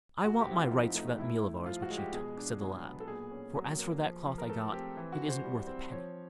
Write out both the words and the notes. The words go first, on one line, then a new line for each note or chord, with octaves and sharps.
'I want my rights for that meal of ours which you took', said the lad; 'for, as for that cloth I got, it isn't worth a penny.'
A2 F#4
G4
C4 E4
F4
F3 D#4
A3 D#4
A2 E4
A2
F3 F4
F#4
G#3
G4
B2 G#4
D4
F#3
B3
A4
A#2 G#4
C#4
F#3
A#3
F3
F3
A#4
A3 A4
C4 G4
E3
F#4
E3
C5
G3
C4
F3 C#5